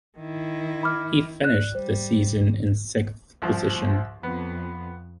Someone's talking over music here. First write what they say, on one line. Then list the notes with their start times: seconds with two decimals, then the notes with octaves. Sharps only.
He finished the season in sixth position.
0.19 D#3 E4
0.83 B5 D6 F6
1.42 D5 F#6
1.75 G3 C5
3.42 C2 F3
4.23 F2 B3